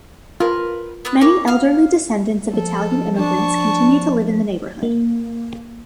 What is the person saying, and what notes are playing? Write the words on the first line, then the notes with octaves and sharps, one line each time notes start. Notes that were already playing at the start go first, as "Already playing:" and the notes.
Many elderly descendants of Italian immigrants continue to live in the neighborhood.
F4 A#4 B4
B3 E6 F#6
A#3 C#5
F5 F6
F3 A4
D4 A5 C#6
A#3